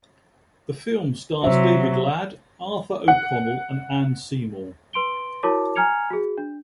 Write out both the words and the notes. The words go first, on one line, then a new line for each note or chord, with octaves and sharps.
The film stars David Ladd, Arthur O'Connell and Anne Seymour.
C3 F#3 C5 E5
F#5
B4 C6 D7 G7
E4 F#4 A#4 C#5 A5 D6
G#5 A#5 F6 G#6 C#7 F7
F#4 G#4
D4